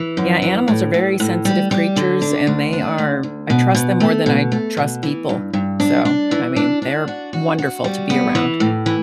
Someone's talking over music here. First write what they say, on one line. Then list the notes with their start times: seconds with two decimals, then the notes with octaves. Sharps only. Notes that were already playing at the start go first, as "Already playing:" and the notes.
yeah, animals are very sensitive creatures, and they are I trust them more than I trust people. So, I mean, they're wonderful to be around.
Already playing: E3
0.17 F#2
0.42 E3
0.68 A2
0.94 A2
1.20 A2
1.45 G3
1.71 G3
1.96 D3
2.22 D4
2.47 D2
2.73 D4
2.98 D2
3.23 D2
3.50 B2
3.75 B2
4.00 A3
4.26 B2
4.52 A3
4.77 B2
5.03 E3
5.29 G2
5.53 G2
5.80 D4
6.05 D4
6.31 E3
6.56 D4
6.82 D4
7.08 F#4
7.33 F#4
7.58 F#4
7.84 G3
8.10 B3
8.35 E3
8.60 A2
8.86 E3